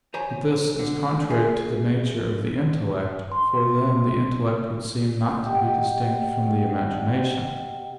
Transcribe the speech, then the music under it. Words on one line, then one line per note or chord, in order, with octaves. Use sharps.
But this is contrary to the nature of the intellect; for then the intellect would seem not to be distinct from the imagination.
C5 C#5 G#5 A#5
D3
G#4 C5 E5 G#5
C6
G4 D#5 F#5 G5